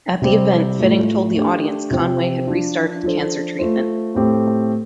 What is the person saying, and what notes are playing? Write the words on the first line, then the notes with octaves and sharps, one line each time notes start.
At the event Fitting told the audience Conway had restarted cancer treatment.
C3 G3 C4 G4 C5
A2 A3 F4
A3 D4 G4
C3 F3 C4 G4 C5
F3 D4 F4
F3 D4 A4 C5
A3 F4 C5
A2 A3 C4 G4